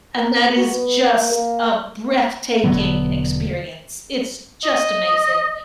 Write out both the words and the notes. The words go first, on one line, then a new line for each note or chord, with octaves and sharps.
And that is just a breathtaking experience, it's just amazing!
A#4
F#4
B3
A#3
A#3
E1 D3 F#3 B3
D#5